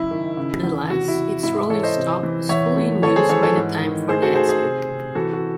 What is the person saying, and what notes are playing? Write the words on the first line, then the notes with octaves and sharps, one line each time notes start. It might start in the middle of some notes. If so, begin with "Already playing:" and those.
Nevertheless, its rolling stock was fully in use by the time for the Expo.
Already playing: F#1 E4
D#3
C#3
E2
C3 F#4
E4
C3
G#2 E4
E4
E3 A4 C#5
C5 D#5
C3
E3
E2 C#5 E5
A3
G#1 A4 C#5
G#4 C5
E3 A4 C#5
A4 C#5
G#2
D#3
A3 G#4 C5
F#4 A4
D#3 G#4 C5
G#4 C5
C3
C3
E3 F#4 A4
F#4